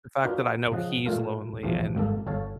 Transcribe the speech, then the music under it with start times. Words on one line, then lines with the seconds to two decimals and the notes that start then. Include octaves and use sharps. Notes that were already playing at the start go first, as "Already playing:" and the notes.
the fact that I know he's lonely and
0.24 D4 D#4 F4 F#4 A#4 B4
0.72 C#3 F3 D#5 F#5
1.06 A#2 A3 A#3 F4 A4 A#4
1.63 B1 E2 E3 F3
1.95 G#1 G2 A#3 A4
2.27 G1 A4 C#5 F5 A5